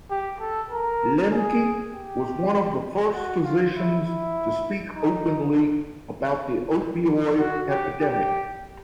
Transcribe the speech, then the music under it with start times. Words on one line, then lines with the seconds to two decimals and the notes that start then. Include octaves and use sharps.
Lembke was one of the first physicians to speak openly about the opioid epidemic.
0.10 G4
0.40 A4
0.70 A#4
1.32 G#4
1.92 G4
3.14 F#4
3.44 F4
3.75 E4
4.04 E4
4.96 D#4
7.39 F#4
7.69 G4
8.00 G4